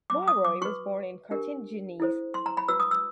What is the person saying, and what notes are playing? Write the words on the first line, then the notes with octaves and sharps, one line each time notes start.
Mauroy was born in Cartignies.
D6
D#6
D6
F#4 B4 C#6
D4 G4 A#4
E4 A4 C5
C6
A#5
B5
F#4 B4 E6
D#6
E6